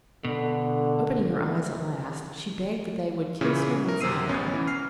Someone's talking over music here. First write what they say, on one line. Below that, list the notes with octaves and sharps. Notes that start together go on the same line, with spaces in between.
Opening her eyes at last, she begged that they would kiss her once again.
B2 D3
A#2 C#3 E3 C#4 E4
A#4
F#2 C3 C4 E6 C7 D#7
A1 B3 C#4
E3
F6 C7